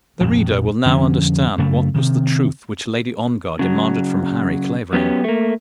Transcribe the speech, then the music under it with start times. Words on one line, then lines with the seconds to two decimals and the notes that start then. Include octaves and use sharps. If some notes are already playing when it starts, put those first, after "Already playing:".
The reader will now understand what was the truth which Lady Ongar demanded from Harry Clavering.
0.20 A#1 F2 G#2
0.85 F2 D3 F3 C#4
1.58 F#2 C#3 A3
1.94 C3 D#3
3.59 C#3 F#3
4.93 F#3 B3 C#4 G4
5.24 A3 A#3